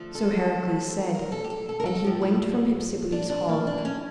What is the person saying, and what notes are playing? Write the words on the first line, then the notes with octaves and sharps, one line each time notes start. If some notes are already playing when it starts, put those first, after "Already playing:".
So Heracles said, and he went from Hypsipyle's hall.
Already playing: D3 F3 A3
A4
A#4
A4
G4
A4
A4
A#4
A4
A2 F3 A3 G4
E4
D4
D4
A#3
D4
A#3
C#4